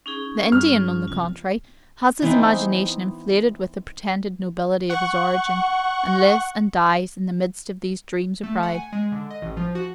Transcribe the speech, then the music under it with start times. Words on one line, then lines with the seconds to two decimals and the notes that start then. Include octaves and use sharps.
The Indian, on the contrary, has his imagination inflated with the pretended nobility of his origin, and lives and dies in the midst of these dreams of pride.
0.06 C#4 D#4 G#4
0.52 G2 F6
1.08 F1 F2 F4
2.22 E3 B3 C4 D#4
4.90 F#5 C#6
8.43 A3
8.63 F#5
8.74 G#5
8.92 G#3
9.12 D3
9.30 D#5
9.42 A1
9.57 F3
9.75 F#4